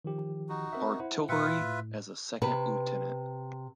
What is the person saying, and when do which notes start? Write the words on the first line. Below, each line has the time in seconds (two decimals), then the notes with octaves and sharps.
Artillery as a second lieutenant.
0.05 D#3 F3 G4
0.49 D#4 F#4
0.73 C4 A#4 E5
1.00 E4 C5 F#5
1.29 A#2 F4 B4 E5 G5 C#7
1.61 A2
2.42 C3 B4